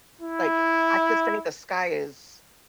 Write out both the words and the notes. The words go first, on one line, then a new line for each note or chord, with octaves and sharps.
Like, I could say the sky is,
E4